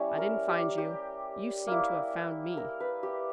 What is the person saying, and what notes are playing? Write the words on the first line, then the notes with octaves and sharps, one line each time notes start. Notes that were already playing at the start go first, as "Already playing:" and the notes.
I didn't find you; you seem to have found me.
Already playing: G3 C#4 E4 C#5
A#4
G4
G4
A#3 E4
A#4
B4
G4